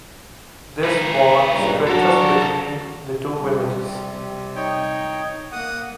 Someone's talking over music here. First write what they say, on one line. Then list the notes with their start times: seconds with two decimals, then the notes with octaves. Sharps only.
This ward stretches between the two villages.
0.83 D#4 B4
1.52 C#2 G2 A#2
1.87 F#3 D4 F#4 A4 A#4
3.38 C3 G3
4.56 D#4 C#5 G5
5.52 A#3 F#5 D#6